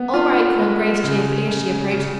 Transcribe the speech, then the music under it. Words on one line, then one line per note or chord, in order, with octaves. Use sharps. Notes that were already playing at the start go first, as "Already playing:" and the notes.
"All right," called Grace cheerfully as she approached.
Already playing: B3
F4
G#3
C#3
C#3
C#3